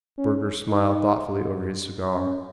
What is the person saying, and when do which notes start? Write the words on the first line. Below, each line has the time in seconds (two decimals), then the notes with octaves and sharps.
Burger smiled thoughtfully over his cigar.
0.18 C#4
0.68 D#4
2.16 C#4